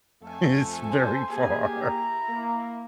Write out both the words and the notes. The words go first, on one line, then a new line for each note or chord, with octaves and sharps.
is very far.
F2 A3 A4 G#5
C5
A#3 G4 G#4
E4 A#5
A#3